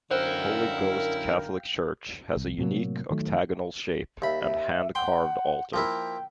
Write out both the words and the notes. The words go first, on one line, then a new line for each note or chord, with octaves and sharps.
Holy Ghost Catholic Church has a unique octagonal shape and hand-carved altar.
F#2 D3 E4 A#4 C5 F5 G5
C2
A2 C3 F#3 A#3
D#3 F#3 A3
D#2 E5 B5
E5
F#5 G5 C6
F3 A#3 E4 G5